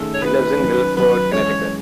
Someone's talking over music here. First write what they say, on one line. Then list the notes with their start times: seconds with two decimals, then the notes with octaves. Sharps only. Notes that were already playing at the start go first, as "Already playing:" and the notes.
She lives in Guilford, Connecticut.
Already playing: D#3 A3 C#4 G#4 A4
0.14 C#5
0.23 D#3 A3 C#4 G#4 B4
0.59 D#3 F#3 C#4
0.95 D#3 F#3 C#4 B4
1.32 E3 G#3 C#4 G#4 C#5